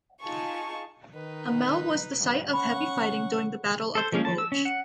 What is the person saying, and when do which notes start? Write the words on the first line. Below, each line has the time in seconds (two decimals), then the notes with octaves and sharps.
Amel was the site of heavy fighting during the Battle of the Bulge.
0.22 D#4 F4 G#4 A5 C#6
1.14 D#3 D#4 B4
2.19 G2
2.53 C#4 F#5 B5 C#6
3.95 A4 C5
4.12 F3 G#3 A#3 C#4
4.25 F3 A5
4.38 E6
4.52 C#4
4.65 F#5